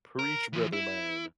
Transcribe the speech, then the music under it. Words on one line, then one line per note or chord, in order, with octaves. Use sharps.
preach, brother man.
A#4
E3 F3
E4